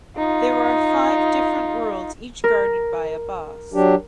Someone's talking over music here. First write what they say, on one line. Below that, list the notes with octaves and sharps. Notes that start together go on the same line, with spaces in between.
There are five different worlds, each guarded by a boss.
D#4 F4
A#4
F#3 D4 G4